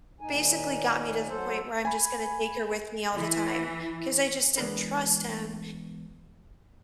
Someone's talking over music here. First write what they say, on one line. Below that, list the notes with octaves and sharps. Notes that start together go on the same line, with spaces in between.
basically got me to the point where I'm just gonna take her with me all the time 'cause I just didn't trust him,
D#2 A#2 D#4 G#5
F#3 A4 C5
G#5 B5
E3
E3 G#3 B3 D4 A#4 B4